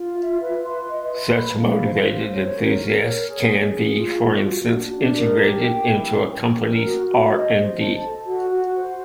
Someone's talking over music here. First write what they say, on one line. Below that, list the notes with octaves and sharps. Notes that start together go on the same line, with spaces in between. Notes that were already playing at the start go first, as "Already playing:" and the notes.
Such motivated enthusiasts, can be for instance integrated into a company's R and D.
Already playing: F4
E5
B4
C6
D#5
B4
B5
F5
C5
C5
C#5
A#4
A#4
C#5
G#4
G#4
G#4
F4
F4
F#4
D4
D4
A#4
G4
G5
E4
C#4
C#4
A#4
F#4
F#4
D#5
C5
A5
A4
F#4
F#4
C5